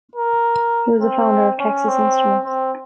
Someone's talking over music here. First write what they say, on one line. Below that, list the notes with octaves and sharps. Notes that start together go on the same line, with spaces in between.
He was a founder of Texas Instruments.
A#4
C4
C#4
C4
C4